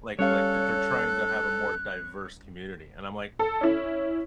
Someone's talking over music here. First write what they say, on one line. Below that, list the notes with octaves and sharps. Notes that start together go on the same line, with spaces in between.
like like if they're trying to have a more diverse community and I'm, like,
G3 C#4 A4 C#5 F5 F#6
A4
C#4 E4